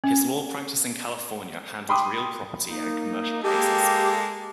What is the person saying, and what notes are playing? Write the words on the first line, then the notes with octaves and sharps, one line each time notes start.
His law practice in California handled real property and commercial cases.
C#4
G5 B5 C6 D6 D#6
A#3 D#4
G#3 A#3 G4 A4